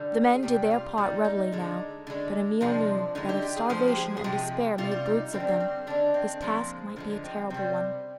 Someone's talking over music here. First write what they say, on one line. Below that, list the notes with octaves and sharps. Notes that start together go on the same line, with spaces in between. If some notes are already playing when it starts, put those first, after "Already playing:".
The men did their part readily now, but Emil knew that if starvation and despair made brutes of them, his task might be a terrible one.
Already playing: D3 G3 G4
G#4
C3 G3 G4
F4
A#2 G3 D#4
D#4
D3 G#3
D3 G#3
C3 F3 G#3 D4
D3 G#3 D#4
G4
G4
G#4
A#2 F3 G#3 C5
G4
G#4
G#4
C3 F3 G#3 G4
C3 G3 F4
F4
D#4
D3 G3 C4
D4
C4
C4
D3 G#3 D4
C4
A#2 F3 G#3 C4
D3 F3 G#3 A#3
C4
C3 G3 C4